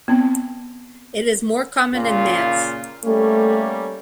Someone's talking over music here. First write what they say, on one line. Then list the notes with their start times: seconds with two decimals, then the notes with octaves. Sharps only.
It is more common in males.
0.08 B3 C4
1.95 A#2 C#3 F4
3.05 G3 A3 A#3 C#4